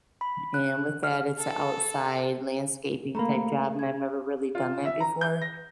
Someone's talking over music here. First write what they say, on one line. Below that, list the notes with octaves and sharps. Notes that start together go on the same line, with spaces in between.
and with that, it's a outside landscaping type job, and I've never really done that before.
B5
F#6
F6
A4
A3 A#3 A#5 B5
G#4 G#6
F4
E5
A#5
G6
A#6